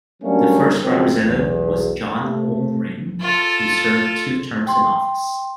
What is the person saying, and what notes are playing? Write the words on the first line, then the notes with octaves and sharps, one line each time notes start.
The first representative was John Oldring who served two terms in office.
F#3 G3 A3 A#3 C#4 D4
C#3 F3 F#3 G#3 A#3 C4
B1 E2
C3 A3
F4 A4
G5 C6